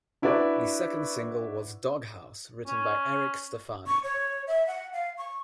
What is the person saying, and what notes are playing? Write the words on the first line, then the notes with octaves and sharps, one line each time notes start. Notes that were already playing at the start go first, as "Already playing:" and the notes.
The second single was "Doghouse", written by Eric Stefani.
D4 E4 F#4 B4 D5
C#4
C#6
C#5
E5
F#5
F5
C#6